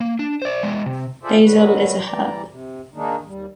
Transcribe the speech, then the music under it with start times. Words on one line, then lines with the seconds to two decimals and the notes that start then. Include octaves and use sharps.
Basil is a herb.
0.01 A#3
0.19 D4
0.42 C5 D5
0.63 G#3 B3
0.86 C3
1.23 F4 G#4 A4 C5 D5 E5
1.44 D#3 F#3 G3 F#4 B4
2.05 E3 G3 D5 A#5
2.49 C3
2.94 D#3 G#3 A#3 D4 D#4
3.26 D#2 G3